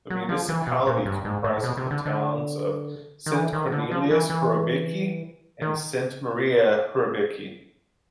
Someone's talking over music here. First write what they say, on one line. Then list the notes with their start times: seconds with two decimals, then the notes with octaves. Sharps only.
The municipality comprises the towns of Sint-Kornelis-Horebeke and Sint-Maria-Horebeke.
0.10 F#3
0.29 F3
0.49 E3
0.67 B2
0.87 A#2
1.06 G2
1.25 G#2
1.44 A2
1.63 B2
1.77 C3
1.91 D3
2.05 D3
3.26 D#3
3.34 E3
3.53 D#3
3.72 D3
3.92 F3
4.10 E3
4.30 E3
5.62 D#3